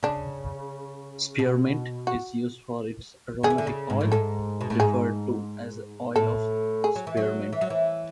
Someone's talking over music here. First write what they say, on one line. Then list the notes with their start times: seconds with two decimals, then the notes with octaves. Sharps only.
Spearmint is used for its aromatic oil, referred to as oil of spearmint.
0.03 C#3 D4
1.39 B2
2.07 F#4
3.43 D3 G#4
3.50 E3
3.58 D3
3.67 C#3
3.90 G#2
4.01 A2
4.12 G#2 A4
4.61 B2
4.70 A2
4.80 G#2 G#4
6.16 A2 A4
6.84 G#4
6.96 F#3
7.07 E3
7.17 F#3
7.52 E3
7.61 F#3
7.70 E3